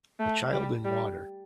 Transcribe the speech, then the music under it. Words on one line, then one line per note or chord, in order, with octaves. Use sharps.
A child in water.
A3
G3
G3